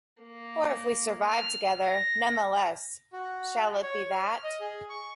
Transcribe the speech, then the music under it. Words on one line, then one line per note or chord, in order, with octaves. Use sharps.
Or if we survive together nonetheless - shall it be that?
A#3
F6
A#6
F#4
C#5
F6
D#5
G#4
C#6